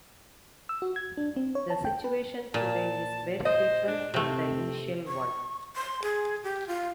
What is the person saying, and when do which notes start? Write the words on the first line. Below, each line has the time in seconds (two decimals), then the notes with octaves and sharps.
The situation today is very different from the initial one.
0.69 E6
0.82 F#4
0.96 G#6
1.17 D4
1.36 C4
1.55 C#5
1.70 A5
1.85 G5
2.04 B4
2.54 A#2 A5
3.45 C5 D#5
3.88 D4
4.14 C3 A3 C4
5.07 C#6
5.76 C6
6.02 G#4
6.44 G4
6.67 F4